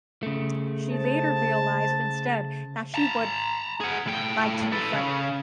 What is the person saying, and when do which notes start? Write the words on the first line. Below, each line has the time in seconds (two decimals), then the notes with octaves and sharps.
She later realised instead that she would "like to be funny".
0.23 C#3 A3
0.91 C5 A5
2.94 A5 A#5
3.81 G#4 F#5
4.07 A2 G5
4.72 A4 B4
4.93 C#3